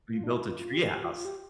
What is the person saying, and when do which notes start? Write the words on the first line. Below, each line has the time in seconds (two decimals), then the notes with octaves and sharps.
We built a tree house.
0.13 F4
0.24 D4
0.28 E4
0.43 F4
0.58 F4
0.74 G4
1.04 F4
1.14 F4
1.25 G4